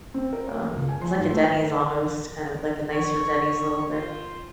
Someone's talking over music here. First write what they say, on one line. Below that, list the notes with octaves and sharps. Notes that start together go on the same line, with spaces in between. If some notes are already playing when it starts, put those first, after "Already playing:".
Um, it was like a Denny's almost, kind of like a nicer Denny's a little bit
C4
A#4
C#5
A#3
C#2
G#5
C6
G#2
A3
B4
A#4
C#5 C#6
F4 C5